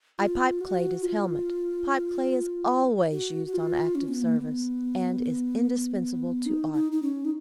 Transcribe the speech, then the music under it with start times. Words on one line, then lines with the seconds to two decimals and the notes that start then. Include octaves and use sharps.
I pipeclayed his helmet,--pipeclay is always used on active service, and is indispensable to Art.
0.19 F4
0.61 F#4
1.02 F4
3.12 F#4
3.47 F#4
3.53 F4
3.95 C#4
4.08 B3
4.22 A#3
4.36 B3
6.46 D#4
6.74 D#4
6.92 D#4
7.03 C#4
7.25 D#4